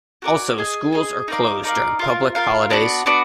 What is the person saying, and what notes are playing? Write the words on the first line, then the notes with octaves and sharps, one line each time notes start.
Also schools are closed during public holidays.
F#4 A#4 D5 G#5
G#4 D#5 G#5
G#4 D#5 G#5
D#4 A#4 D5 F5
D#4 A#4 D5 F5
F4 A#4 F5
F4 A#4 F5
B3 D4 F#4 D5
B3 D4 F#4 D5